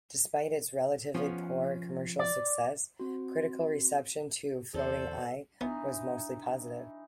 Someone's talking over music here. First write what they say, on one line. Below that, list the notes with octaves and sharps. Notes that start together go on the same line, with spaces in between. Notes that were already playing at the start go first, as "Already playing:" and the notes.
Despite its relatively poor commercial success, critical reception to "Floating Eye" was mostly positive.
F3 B3 C#4
D5
C4 F#4
E2 D3 A4 C5 D5
E3 B3 D4 D#4 F#4 A#5